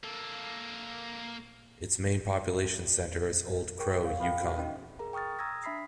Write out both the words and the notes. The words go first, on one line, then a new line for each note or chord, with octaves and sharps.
Its main population centre is Old Crow, Yukon.
A#3 A4
G#4 A#4 C#5 G5 C#6
C#5 F5
F4 A4 C5 E5 F5 G5
F#4 C5
C#4 D#4 F#4 D#5 G5 A5
G#4 A#4 A#5
G5 C#6 D#6 F6 A6
A#5 D#6 E6 G#6 A#6
D4 E5 B5 B6 C7